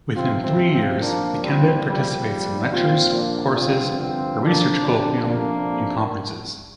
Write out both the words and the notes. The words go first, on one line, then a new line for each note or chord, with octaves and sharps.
Within three years, the candidate participates in lectures, courses, a research colloquium and conferences.
F2 C3 F3 C4 F4
C4 F4
C4 F4
A#2 F3 A#3 D4
G3 C4
A#2 F3 G3
G3
A#2 F3 C4 F4
A#3 D4
G2 D3 F3 C4 F4
C4 F4
F2 D3 F3 A#3 D4
D4 G4
F2 C3 F3 A#3 D4